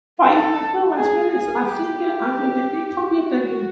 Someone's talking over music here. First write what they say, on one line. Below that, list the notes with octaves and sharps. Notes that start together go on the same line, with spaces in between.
"Firecracker" was released as a single under the name "Computer Game".
A4
G#4
G#4
G4
F#4